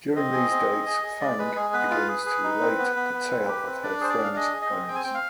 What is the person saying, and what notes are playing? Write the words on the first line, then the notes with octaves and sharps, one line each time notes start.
During these dates, Fang begins to relate the tale of her friend's parents.
C4 D#5
G#4
C4
G#4
G#4
G#4
G#3 D5
G#3 B4
G#3 G#4
B3 B4
F4
G#4
G#4
D#4
C4
B3
B3
B3
C4
G4
C4
D4 D5
G#4 C5
D5
D4
F5
G#4 D#5
G#4
D#5
C4
C4 G5
G#5
C4 G5
F5